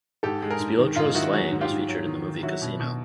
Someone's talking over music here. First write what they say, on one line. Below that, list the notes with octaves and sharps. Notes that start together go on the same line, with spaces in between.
Spilotro's slaying was featured in the movie "Casino".
G#2 G4 A4
G#3
G#4 A#4
G#2
D#3
G#2 D#4 F4
D#3 E4 F#4
F#3 F#4 G#4
G#2
F4 G4
G#2
F#3
D#3
D#3
F#3 E4 F#4
B2
B2